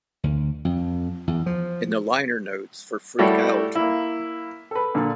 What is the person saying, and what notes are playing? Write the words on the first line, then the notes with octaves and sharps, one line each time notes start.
In the liner notes for Freak Out!
D2
F2
E2
F3
G3 A3 E4 F#4 G4 C#5
A#3 E4
A4 B4
A#2 D3